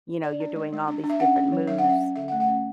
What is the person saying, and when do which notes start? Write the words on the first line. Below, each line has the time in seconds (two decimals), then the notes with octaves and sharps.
you know, you're doing all these different moves.
0.23 D4 D5
0.40 D4
0.55 G#3
0.73 G#3
0.88 D4
1.04 D4
1.10 E5
1.20 C#4 F#5
1.36 C#4
1.52 F#3
1.67 F#3 E5
1.78 F#5
1.84 C#4
1.89 E5
2.01 C#4
2.16 D3 E5
2.28 F#5
2.32 A3
2.40 F#5
2.48 C#4